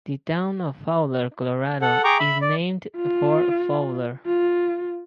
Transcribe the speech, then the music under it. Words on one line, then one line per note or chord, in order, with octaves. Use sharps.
The town of Fowler, Colorado is named for Fowler.
A4 F#5
G#4 G5 A#5 C#6 D6
E5 B5
D5
F4
F4